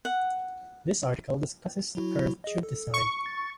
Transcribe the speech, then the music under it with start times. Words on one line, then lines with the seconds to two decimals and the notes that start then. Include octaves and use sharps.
This article discusses the curved tube design.
0.05 F#5
1.95 F#3 E4 F#4
2.44 G#4 D#5
2.63 A4
2.94 C#6
3.26 A6